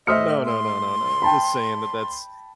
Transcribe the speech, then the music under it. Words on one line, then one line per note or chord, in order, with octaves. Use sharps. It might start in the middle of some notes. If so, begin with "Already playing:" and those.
No, no, no, no, no, just saying that that's
A2 C5 D#5 E5 D#6 F6 C#7
C6
G5 A5 B5